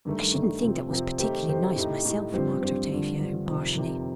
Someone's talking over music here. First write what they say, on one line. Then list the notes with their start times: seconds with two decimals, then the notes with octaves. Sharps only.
"I shouldn't think that was particularly nice, myself," remarked Octavia impartially.
0.05 G2 D#3 A3
0.34 G2 D#3 A3
0.62 C3 F3 C4
0.90 C3 F3 C4
1.19 D#3 A3 D#4 G4 C5
1.48 D#3 A3 D#4 G4 C5
1.76 A2 A3 D#4 G4
2.05 A2 A3 D#4 G4
2.32 G2 F3 C4 G4 C5
2.61 G2 F3 C4 G4 C5
2.89 G2 D3 F3
3.19 G2 D3 F3
3.46 F2 C3 D#3
3.75 F2 C3 D#3